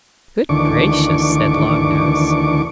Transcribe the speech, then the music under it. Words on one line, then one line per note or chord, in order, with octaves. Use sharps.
'Good gracious!' said Long Nose.
D2 D#3 E3 D4 C#6 D6